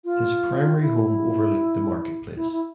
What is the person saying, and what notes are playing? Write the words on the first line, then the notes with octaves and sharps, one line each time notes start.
His primary home overlooked the market place.
F4
E4
E4
E4